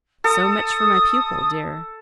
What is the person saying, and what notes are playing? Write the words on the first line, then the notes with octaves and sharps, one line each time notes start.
So much for my pupil, dear!
A4 D#6